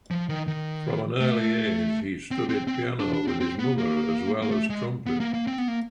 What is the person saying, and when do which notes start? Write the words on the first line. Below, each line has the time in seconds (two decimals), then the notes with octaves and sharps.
From an early age he studied piano with his mother as well as trumpet.
0.11 F3
0.29 D#3
0.47 D#3
1.21 A3
2.31 C4
2.49 C4
2.68 C4
3.00 D4
3.13 D4
3.28 C4
3.40 C4
3.59 B3
3.78 A#3
4.42 A#3
4.51 A3
4.70 G#3
5.06 B3
5.20 A#3
5.34 A#3
5.47 C4
5.58 B3
5.68 A#3